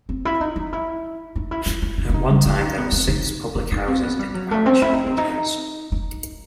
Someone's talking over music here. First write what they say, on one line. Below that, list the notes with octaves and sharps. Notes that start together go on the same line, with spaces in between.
At one time there were six public houses in the parish of Woodhurst.
C4
E4
D#4
D#4
E4
D#4
E4
E4
E4
E4
E4
D#4
G3
E4
D#4
B3
C4
D#4
D#4
D#4
C4
B3
G3
F#3
A3
C4
E4
D#4
C4
D#4
D#4